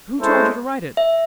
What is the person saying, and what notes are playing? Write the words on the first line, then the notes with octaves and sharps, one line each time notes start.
'Who told you to write it?'
G#3 C#4 E4 A4 C5
E5